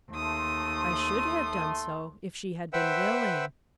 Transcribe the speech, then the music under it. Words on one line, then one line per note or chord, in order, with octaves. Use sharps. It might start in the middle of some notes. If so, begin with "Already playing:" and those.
I should have done so, if she had been willing.
D#2 A3 C6 D#6
B4 C5 E5 F#5 G5 E6